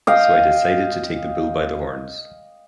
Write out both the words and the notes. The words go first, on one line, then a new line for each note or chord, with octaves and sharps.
So I decided to take the bull by the horns.
D#5 F5 G5